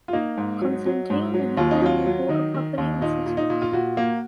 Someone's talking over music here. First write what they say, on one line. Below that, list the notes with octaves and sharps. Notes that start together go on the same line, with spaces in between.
Constantine and her family bought a property in Sussex.
F4
A#3 D#4
G#2
F#3
F#3
G#2
F#3
D#2 F4
D#4
F#3 F4
F#3
D#3 D#4
D#3
D#2
A#2 D#4
A#2
D#4
A#2
F4
A#2 F#4
A#3